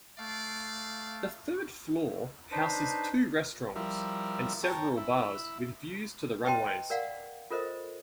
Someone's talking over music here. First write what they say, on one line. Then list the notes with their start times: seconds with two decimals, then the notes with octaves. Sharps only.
The third floor houses two restaurants and several bars with views to the runways.
0.18 A3 D5 F5
2.52 D4 D#4 B4 C5
3.76 F3 G3 E4 A#4
4.63 C#5 G5 A5 A#5
4.97 E4
6.45 B4 C#5 D#5 G5 A5 C6
6.90 A#4 D5 F5 F#5
7.51 F4 A4 A#4 C5 D#5